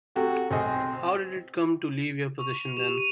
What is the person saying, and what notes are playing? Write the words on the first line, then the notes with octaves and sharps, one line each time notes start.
How did it come to leave your possession then?
C3 F#4 A4 G5
B1 C4 G#4 D#5
C#6 F7
G4 E7 F7
D#7